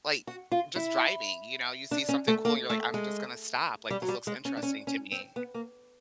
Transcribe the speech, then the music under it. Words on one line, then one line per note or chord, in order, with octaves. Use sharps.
like, just driving, you know, you see something cool and you're like, "I'm just gonna stop, like, this looks interesting to me."
F#4
F4
E4
D4
C#4
A3
A#3
A3
G#3
G3
F#3
G3
G#3
C#4
D4
C#4
C#4
C4
B3
A#3